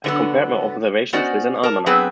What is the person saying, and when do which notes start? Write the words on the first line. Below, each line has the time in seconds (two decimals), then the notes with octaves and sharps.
I compared my observations with an almanac.
0.04 D3 F#3 B3
1.13 B3 C#4 F#4 C5 D5 D#5
1.63 A#4 A5
1.86 F#3 B3 C4 G#4 B4